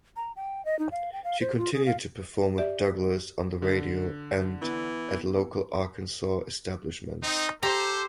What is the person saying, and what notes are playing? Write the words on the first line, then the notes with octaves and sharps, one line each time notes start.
She continued to perform with Douglas on the radio and at local Arkansas establishments.
A#5
G5
D#5
D#4
F5
G5
F5
C5
F4
G#4
F5
G4 D5 E5
D3
E3 B3 E4
C4 D#4
G4 A4 C5 A#5